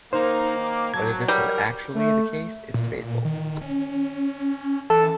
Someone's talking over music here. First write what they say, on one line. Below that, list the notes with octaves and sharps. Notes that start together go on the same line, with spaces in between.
Whether this was actually the case is debatable.
D#3 A#3 D#4 C5
D6
F#3 A5 G#6
G3 A#4
A3
A#2
D#3
C#4
E3 A4